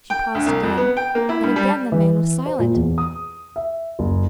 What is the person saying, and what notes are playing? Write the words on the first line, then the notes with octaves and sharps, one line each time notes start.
She paused again, and again the man was silent.
G5
D2
C2
F2
B3
G5
A#3
E4
G2
G3
E3
C5
A#2
E2
D#6
E5
F#1